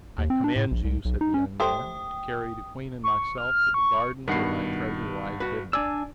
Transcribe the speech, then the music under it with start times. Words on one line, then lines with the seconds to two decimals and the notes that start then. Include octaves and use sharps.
"I command you," said the young man, "to carry the queen and myself to the garden where my treasure lies hidden."
0.18 D#2
0.30 C4
0.44 D4
0.56 A2
0.71 A#1
0.84 C2
1.05 B1
1.21 D#4
1.34 C#4
1.60 A3 G4 C5 G5 D#6
3.04 C#6
3.38 F6
3.74 C#6
4.28 G2 B2 D#3 F#5 C7
5.40 F#4 B4
5.73 D4 D5 G#5 E6